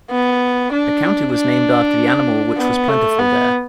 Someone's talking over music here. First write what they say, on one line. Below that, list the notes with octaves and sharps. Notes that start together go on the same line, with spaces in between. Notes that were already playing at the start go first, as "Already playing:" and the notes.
The county was named after the animal which was plentiful there.
B3
D4
D4
B3
A3
B3